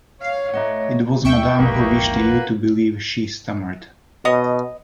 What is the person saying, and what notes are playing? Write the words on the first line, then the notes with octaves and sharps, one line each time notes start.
"It was madame who wished you to believe," she stammered.
C#5 F5
A2 A3 D#5 F#5
D#2 B2 G#3 E5 G5 C#6
E1 A#1 G#2 A#3 G4 B4 D#6
F4 B4 F#5
B2 B3 C#5 D#5